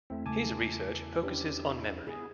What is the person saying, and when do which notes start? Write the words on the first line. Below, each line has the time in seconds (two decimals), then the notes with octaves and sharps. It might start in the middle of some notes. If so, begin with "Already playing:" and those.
His research focuses on memory.
0.10 E2 A3 C4 E4
0.26 C#3 A3 G#5 A5 D6
1.23 C#4 D4 G4
2.07 B3 E4 G#4